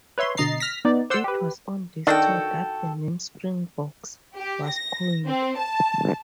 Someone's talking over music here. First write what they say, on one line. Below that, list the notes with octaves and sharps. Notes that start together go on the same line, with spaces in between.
It was on this tour that the name 'Springboks' was coined.
B4 C#5 E5 C6
B2 D3 D#5 A#5 A6 C7
F6 A#6 B6
B3 D#4 D5
C5 D5 F#5 C6 E6
G4 B4
D#3 D4 F#4 A4 G5
G4
A#6
C4
A5